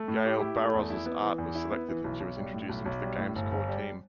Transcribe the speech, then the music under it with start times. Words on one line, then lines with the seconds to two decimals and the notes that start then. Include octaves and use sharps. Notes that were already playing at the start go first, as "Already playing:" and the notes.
Yaël Barroz's art was selected and she was introduced into the game's core team.
Already playing: A3
0.08 A2
0.25 G4
0.40 E4
0.57 A3
0.74 E2
0.90 E4
1.06 B3
1.22 E3
1.38 E2
1.55 E4
1.71 B3
1.88 E3
2.04 B1
2.20 B1
2.37 G3
2.54 A2
2.69 B1
2.85 B1
3.02 G3
3.18 A2
3.36 G1
3.51 G1
3.68 G3